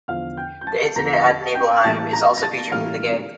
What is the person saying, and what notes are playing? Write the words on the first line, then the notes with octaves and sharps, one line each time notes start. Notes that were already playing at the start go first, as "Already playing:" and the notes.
The incident at Nibelheim is also featured in the game.
E2 D3 F3 F5 F6
G5 G6
G6
A5 A6
E2 D3 F3 A#5 A#6
A5 A6
G5 G6
A2 E3 G3 A#3 A5 A6
A#5 A#6
A#6
A5 A6
A2 E3 G3 A#3 F5 F6